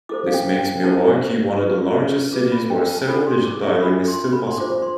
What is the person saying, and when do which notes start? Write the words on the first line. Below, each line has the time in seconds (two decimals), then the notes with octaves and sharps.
This makes Milwaukee one of the largest cities where seven-digit dialing is still possible.
0.09 E4 A4 C5 D6
0.27 F5
0.34 G5
0.59 G5
0.84 E4 A4 C5 A5
1.58 F4 B4
2.33 F4 B4 D6
2.52 B5
2.70 G5
2.89 A5
3.08 D4 F4 A4 B5
3.27 C6
3.45 D6
3.64 E5
3.82 D4 F4 A4 B5
4.08 C6
4.32 B5
4.47 C6
4.58 D4 F4 C5 D6
4.82 C6